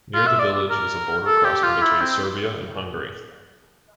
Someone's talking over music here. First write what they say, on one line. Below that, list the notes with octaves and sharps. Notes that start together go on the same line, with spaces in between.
Near the village is a border crossing between Serbia and Hungary.
F4
E5
D5
A#4
A4
G4
F4
E4
C4